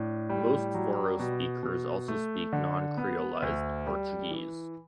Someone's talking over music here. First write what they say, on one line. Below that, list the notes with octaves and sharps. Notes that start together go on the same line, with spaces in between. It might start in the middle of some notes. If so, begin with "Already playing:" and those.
Most Forro speakers also speak non-creolised Portuguese.
Already playing: A2 D4
G3
F#3
B2
B2
A3
D3
B3
D2
G3
E3